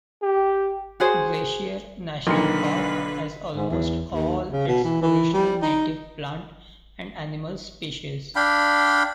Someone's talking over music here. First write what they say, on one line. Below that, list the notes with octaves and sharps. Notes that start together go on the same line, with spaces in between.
Glacier National Park has almost all its original native plant and animal species.
G4
F#4 G#4 C5
B1 D3 D#3 A#3 F4 B4 C6 C#7
G#2
E2
D#2
C#3
B2
E3
E3
G3
D#4
D4 F5 G5 B5